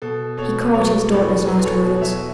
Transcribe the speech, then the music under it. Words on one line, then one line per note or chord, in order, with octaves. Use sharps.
He caught his daughter's last words.
B2 A4
B2 A4 C#5
B4
F#3 A4 C#5
E2 A4 C#5
F#3 G#4 B4
A4 C#5
B2
C#5 E5